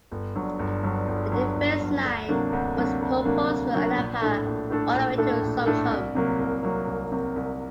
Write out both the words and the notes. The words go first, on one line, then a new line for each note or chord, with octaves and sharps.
A defence line was proposed from Anapa all the way to Sukhum.
G1
G2 F#3
G1
G2 F#3
G1
G2 F#3
G1
G2 F#3
D2
C3 F#3 A#3 D4
D2
C3 F#3 A#3 D4
D2
C3 F#3 A#3 D4
D2
C3 F#3 A#3 D4
A#1
A2 A3 D4 A4
A#1
A2 A3 D4 A4
A#1
A2 A3 D4 A4
A#1
A2 A3 D4 A4
C2
C3 F#3 A#3
C2
C3 F#3 A#3
C2
C3 F#3 A#3
C2